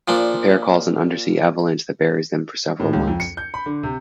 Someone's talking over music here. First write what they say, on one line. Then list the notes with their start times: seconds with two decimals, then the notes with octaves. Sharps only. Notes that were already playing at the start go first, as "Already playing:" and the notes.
The pair cause an undersea avalanche that buries them for several months.
0.08 A#2 F3 D4
2.80 A2
2.93 C#2
3.08 F2
3.20 C#7
3.37 G6
3.54 B5
3.66 D3
3.83 C3